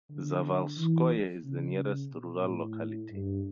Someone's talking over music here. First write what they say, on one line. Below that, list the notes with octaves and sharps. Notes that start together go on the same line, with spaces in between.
Zavalskoye is the nearest rural locality.
D3
E3
C#3
B2
A2
G2